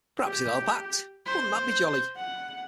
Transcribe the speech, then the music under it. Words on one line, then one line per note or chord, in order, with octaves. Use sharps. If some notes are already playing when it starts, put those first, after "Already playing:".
Perhaps he'll help act; wouldn't that be jolly?
G4
C5
F#5